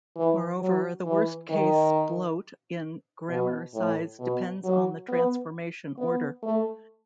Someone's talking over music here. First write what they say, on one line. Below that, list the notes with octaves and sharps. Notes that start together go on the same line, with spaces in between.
Moreover, the worst-case bloat in grammar size depends on the transformation order.
E3
F#3
E3
D#3
B2
A2
B2
F#3
B3
B3
A3